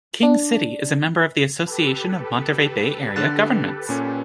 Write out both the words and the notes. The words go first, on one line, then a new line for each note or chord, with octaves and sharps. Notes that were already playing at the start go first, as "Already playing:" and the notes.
King City is a member of the Association of Monterey Bay Area Governments.
D4
G4 A4 B4
D3 F#6 A6
A#2 C#4